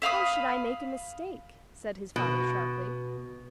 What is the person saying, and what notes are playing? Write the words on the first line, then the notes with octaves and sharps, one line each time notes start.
"How should I make a mistake?" said his father, sharply.
E5 F5 B5 D#6
B2